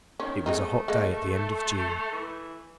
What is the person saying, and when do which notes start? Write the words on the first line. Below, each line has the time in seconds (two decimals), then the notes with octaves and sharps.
It was a hot day at the end of June.
0.20 D#3 C#4
0.46 G#3 A3 C4 D#4
0.88 G#3 A#3
2.12 E3